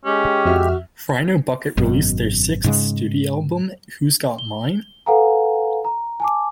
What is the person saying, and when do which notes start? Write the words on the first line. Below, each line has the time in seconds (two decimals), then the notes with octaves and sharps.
Rhino Bucket released their sixth studio album Who's Got Mine?
0.05 G#3 C#4 G4
0.45 F2 F#4 E5 F6
1.77 G#1 F#2 B2
2.64 G#2 C#3 G#3
4.39 G7
5.06 A4 B4 F5 F#5 G#5 A#5
5.85 A#5
6.20 G#5 A5 D6